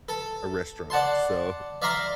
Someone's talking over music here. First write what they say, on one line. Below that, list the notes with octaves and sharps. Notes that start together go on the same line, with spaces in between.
a restaurant. so,
A4
D5 F#5 A5 C6
D5 E5 F5 A#5 C6